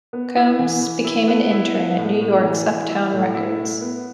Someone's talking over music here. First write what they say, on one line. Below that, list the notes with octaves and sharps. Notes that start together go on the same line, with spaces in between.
Combs became an intern at New York's Uptown Records.
B3
E4
E3
E3
E4
B3
E4
B3
A2
A2
E3
E3
E4
A2
E4
A2
B3